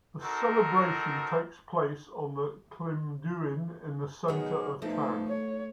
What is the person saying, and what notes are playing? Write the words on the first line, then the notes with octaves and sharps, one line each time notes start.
The celebration takes place on the klimduin in the center of town.
C4 D#4 F#4 A4 A#4
B2 D#3 F#3 B3 G#4
B2 F3 A3 D#4
C#5